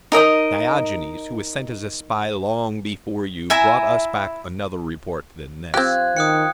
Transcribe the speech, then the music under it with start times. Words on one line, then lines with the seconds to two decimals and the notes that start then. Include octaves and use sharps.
Diogenes, who was sent as a spy long before you, brought us back another report than this.
0.12 D#4 A#4 D#5 D#6
3.50 E4 E5 G#5 A#5
5.74 F3 C4 G4 F#6 G#6
6.17 D#3 G5 D#6 F#6 C#7